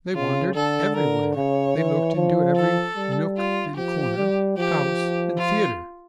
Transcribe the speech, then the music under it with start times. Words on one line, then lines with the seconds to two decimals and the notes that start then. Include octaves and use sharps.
They wandered everywhere, they looked into every nook and corner, house and theater.
0.15 C#3 F4
0.55 D3 A4
0.96 D3 A#4
1.36 C#3 C#5
1.76 E3
2.16 F3
2.57 A4
2.97 G3
3.38 F4
3.77 F3 G4
4.17 G3
4.58 F3 G4
5.38 F4